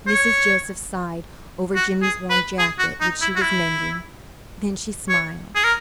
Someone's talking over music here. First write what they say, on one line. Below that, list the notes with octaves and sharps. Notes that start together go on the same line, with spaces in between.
Mrs. Joseph sighed over Jimmy's worn jacket which she was mending. Then she smiled.
C#5
F#4
G#4
B4
G#4
F#4
D#4
E4
F#4
E4
C#5
G#4
A#4